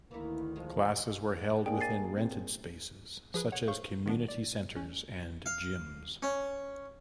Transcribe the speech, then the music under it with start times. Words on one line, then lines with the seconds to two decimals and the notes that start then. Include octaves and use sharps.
Classes were held within rented spaces such as community centers and gyms.
0.11 D2 D#3 E3 A#3 E4
0.56 F3 G#3
1.66 A#3 D4 G#4 G5
1.81 G#5 A6 C7
2.17 C4
3.34 F3 G#4 B4 D#6
3.52 C#5 F#5
3.67 G#4 C5 C#5 F5 C#6 G6
4.06 D#3 A#3 B3 D4
4.28 D5
4.76 C#4
5.46 F5
6.23 C#4